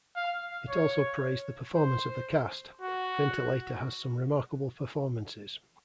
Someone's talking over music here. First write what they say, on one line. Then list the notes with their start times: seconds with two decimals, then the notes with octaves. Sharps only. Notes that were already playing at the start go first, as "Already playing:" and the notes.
It also praised the performance of the cast: Ventilator has some remarkable performances.
0.16 F5
0.69 C#5
1.76 C5
2.81 F#4